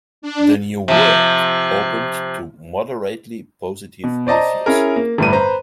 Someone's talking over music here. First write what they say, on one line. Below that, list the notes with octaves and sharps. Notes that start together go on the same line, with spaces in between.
"The New World" opened to moderately positive reviews.
D4
C3 F3
B2
C5 D5 D#5 A5 A#5
C#4 E4 G#4 A#4
A#3
G1 A2 G3 B4 D#7
B4 C5 A#5